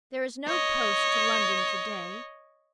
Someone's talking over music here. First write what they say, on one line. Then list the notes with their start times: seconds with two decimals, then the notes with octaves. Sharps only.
There is no post to London to-day.
0.47 C#5 D#5